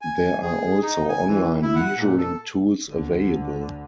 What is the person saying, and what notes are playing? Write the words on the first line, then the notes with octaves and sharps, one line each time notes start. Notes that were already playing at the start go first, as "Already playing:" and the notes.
There are also online measuring tools available.
G#5
G#4
D#4
G#5
E3
E4
F#5
A#2
A4
D2 D3